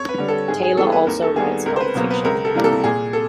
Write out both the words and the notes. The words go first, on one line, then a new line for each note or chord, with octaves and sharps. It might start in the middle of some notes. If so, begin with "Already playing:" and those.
Taylor also writes nonfiction.
Already playing: F2 C#5
B4
D3 G3
A4
G#2 G#4
G#4
E3 G3 B3 A4
B4
D#2 A#4
A4
D#3 G3 B3 G#4
C#2 A#4
C5
B4
B2 F#3 A#3
B4
C#2 A#4
A4
C3 E3 G3 A#3
A4
A#2 G#4
A4